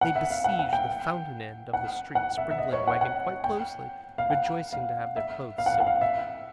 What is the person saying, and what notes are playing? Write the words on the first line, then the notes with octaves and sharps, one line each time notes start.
They besiege the fountain-end of the street-sprinkling wagon quite closely, rejoicing to have their clothes soaked.
F#5
E5
F5
F#5
F#5
G5
F#5
F#5
E5
E5
D#5
C#5
F#5
F#5
G5
F5
F#5
F5
E5
F5
F#5
F5
F#5
F5
E5